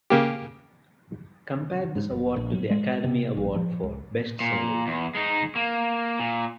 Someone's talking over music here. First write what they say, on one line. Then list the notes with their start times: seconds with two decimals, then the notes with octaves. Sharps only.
Compare this award to the Academy Award for Best Sound Editing.
0.10 C#3 A#3 G4
1.95 G#2
2.11 F#1
2.36 A#1
2.52 F#3
2.70 G#3
3.04 C3
3.37 A#1
3.56 F3
3.83 C#2
4.40 A#2
4.87 E2
5.15 G#3 D#4
5.55 A#3
6.20 A#2